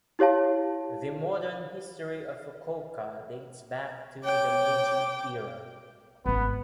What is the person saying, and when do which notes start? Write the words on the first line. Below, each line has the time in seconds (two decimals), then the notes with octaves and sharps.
The modern history of Fukuoka dates back to the Meiji era.
0.19 E4 G4 C#5 F5 A5
4.24 C#5 G5 D6
6.26 G#1 B3 C#4